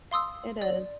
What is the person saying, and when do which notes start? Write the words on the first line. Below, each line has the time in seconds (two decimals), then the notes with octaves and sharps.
It is.
0.11 F5 C6 D#6 E6
0.62 D5